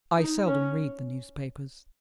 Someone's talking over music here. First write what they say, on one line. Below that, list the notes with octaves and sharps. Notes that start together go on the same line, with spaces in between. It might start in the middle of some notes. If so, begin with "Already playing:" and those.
"I seldom read the newspapers."
D#4
C#4